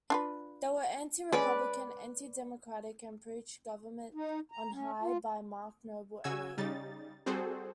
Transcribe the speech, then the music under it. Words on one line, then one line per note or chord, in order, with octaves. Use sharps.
They were anti-Republican, anti-democratic, and preached "Government on High", by a marked noble elite.
D4 F4 B4
G#3 C#4 B4 D5
D#4
A#5
C#4
F4
C#3 F#4 G#5 E6 G#6
C#3 G3 D#4 A6
G3 C4 F#4 G#4 A4 C5